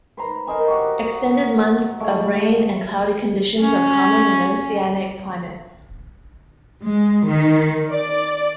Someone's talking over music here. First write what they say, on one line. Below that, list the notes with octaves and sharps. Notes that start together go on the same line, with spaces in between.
Extended months of rain and cloudy conditions are common in oceanic climates.
B4 C5 A#5
A#4 C5 D#5 G#5
F#4 G4 F#5
G#3 A3
C#4
G#3
D#3
D5